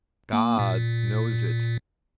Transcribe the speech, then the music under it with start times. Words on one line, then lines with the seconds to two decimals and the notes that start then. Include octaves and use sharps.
God knows it.
0.33 A#3
0.59 A#2